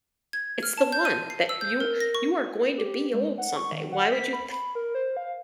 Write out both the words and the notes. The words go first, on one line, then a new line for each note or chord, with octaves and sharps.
it's the one that you you are going to be old someday, why would you th
G#6
F6
A5
G6
D#7
C7
E6
G6
A#4
A#6
C#6
G4
G#3
F#5
C#6
D#3
F#5
B6
B5
B5
A#4
C5
F5